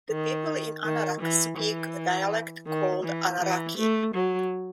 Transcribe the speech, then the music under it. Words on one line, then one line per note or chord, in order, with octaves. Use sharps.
The people in Anarak speak a dialect called Anaraki.
D#3
D#3
E3
E3
D#3
E3
E3
A3
F#3